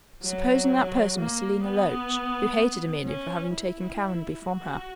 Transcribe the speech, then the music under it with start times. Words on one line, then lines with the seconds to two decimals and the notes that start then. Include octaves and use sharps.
Supposing that person was Selina Loach, who hated Emilia for having taken Caranby from her.
0.23 F#3
1.18 A#3
1.64 B3
3.05 C#4
3.53 E4
4.47 F#4